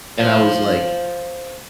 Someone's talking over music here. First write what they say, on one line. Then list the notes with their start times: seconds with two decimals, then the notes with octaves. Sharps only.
And I was like
0.19 C5 F5